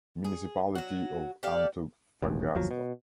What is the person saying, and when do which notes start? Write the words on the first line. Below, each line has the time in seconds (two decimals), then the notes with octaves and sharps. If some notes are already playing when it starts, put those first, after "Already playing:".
Municipality of Antofagasta.
0.24 G#4
0.75 F#3 F#4
1.43 G4 A4 D5 F5
2.22 E1 A1 D#2
2.55 G1 D#2 F3 F#3
2.71 B2